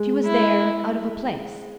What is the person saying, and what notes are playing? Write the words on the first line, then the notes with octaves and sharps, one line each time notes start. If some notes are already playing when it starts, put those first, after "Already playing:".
She was there, out of a place.
Already playing: G#3
E4